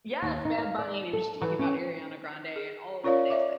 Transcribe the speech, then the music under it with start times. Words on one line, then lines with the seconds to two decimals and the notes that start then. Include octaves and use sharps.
Yes! Bad Bunny, and he was just talking about Ariana Grande, and all of the things, but
0.22 D#2
0.45 D#4
0.58 F5
0.78 D5
1.13 A4
1.41 E3
1.59 C#4
2.56 G#4
3.04 C#4 F4 A#4 C#5 D5 F5
3.30 C#5 D5 E5 D6